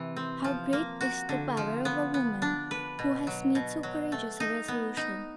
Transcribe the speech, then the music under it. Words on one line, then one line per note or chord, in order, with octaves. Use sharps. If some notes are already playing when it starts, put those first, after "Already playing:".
How great is the power of a woman who has made so courageous a resolution!
Already playing: C3 E3
C4
F3
A#3
F#4
D3
F3
B3
B3
D4
B4
B2
F#3
B2
F#3
A3
D#4
B3
D#4